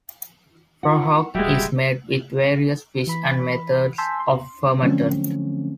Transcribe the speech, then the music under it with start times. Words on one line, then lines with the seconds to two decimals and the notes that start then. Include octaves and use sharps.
Prahok is made with various fish and methods of fermented.
0.83 F4 F#5
1.34 D#1 A1 G3 G#3 F#4 E5 G5
3.07 E3 B5 B6
3.98 G#5 A5 C6 E6 G6 B6
4.20 C6
4.82 D3 F3 F#3 A3 C4 C#4